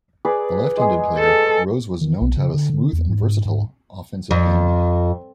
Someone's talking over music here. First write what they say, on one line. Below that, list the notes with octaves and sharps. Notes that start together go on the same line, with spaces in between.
A left-handed player, Rose was known to have a smooth and versatile offensive game.
G#4 B4 D5
G#3 G#4
A4
D#3
B1
C#3
D3
D3
E2
G#2
G#2
G#2
F2